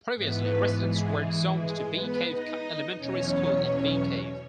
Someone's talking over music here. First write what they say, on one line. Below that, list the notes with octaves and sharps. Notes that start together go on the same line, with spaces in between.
Previously residents were zoned to Bee Cave Elementary School in Bee Cave.
G#2 E3 B3 B4
G#3 G#4
E3 E4
G#3 G#4
B3 B4
D#4 D#5
E2 B2 F#3 C#4 C#5